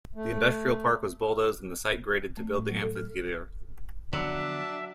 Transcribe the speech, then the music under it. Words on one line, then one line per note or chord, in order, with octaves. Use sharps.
The industrial park was bulldozed and the site graded to build the amphitheatre.
A3
A3
A2
F#3
A4
F6
D3 F3 F#3 B3 D4 E5